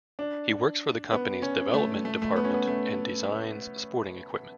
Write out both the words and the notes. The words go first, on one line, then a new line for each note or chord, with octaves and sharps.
He works for the company's development department and designs sporting equipment.
D4
B3
C#4
A3
A3
A3
B3
C#4
B3
A3